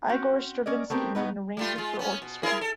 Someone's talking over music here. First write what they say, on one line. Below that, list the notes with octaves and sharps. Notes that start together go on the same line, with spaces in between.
Igor Stravinsky made an arrangement for orchestra.
C4 C#4 F#4
C#4 A#4 D5 D#5
A3 B3 C4 G4 A#4
A2 E3 B3 D#4 B4
G3 A3 F4
G#3 F4
B3 C#4
B2
E4 G#4 A#4
A4